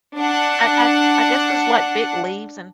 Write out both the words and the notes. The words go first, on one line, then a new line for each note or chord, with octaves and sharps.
I I I guess 'cause, like, big leaves and
D4 F#5